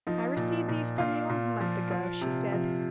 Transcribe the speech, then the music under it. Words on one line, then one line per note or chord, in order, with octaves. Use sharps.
"I received these from you a month ago," she said.
F3 D#4
A#2
A#2
A#2 F4
A#2
F3
F3
C3
F3